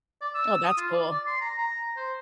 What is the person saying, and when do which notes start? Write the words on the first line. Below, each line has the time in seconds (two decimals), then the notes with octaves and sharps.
Oh, that's cool.
0.22 D5
0.35 E6
0.64 D#6
0.78 F4
0.94 D5
1.11 D5
1.27 C6
1.41 A#5
1.59 A#5
1.97 C5